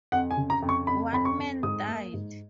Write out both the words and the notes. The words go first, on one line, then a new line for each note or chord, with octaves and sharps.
One man died.
F2 F#5
G#5
C#3
A#5
F2
C#6
F2 B5
F2 B5
C#6
F2
G#2 D#6
A#3
G#2